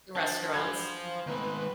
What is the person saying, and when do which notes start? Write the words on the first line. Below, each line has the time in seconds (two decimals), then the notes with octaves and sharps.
The restaurants.
0.16 D4 F#4 C5 A5
0.54 C5 F5 G#5 B5 G#6
1.27 B2 D#3 G#3 A3 B4